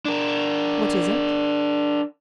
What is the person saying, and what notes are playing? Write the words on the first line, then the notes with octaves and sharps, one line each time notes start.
What is it?
D4 A#4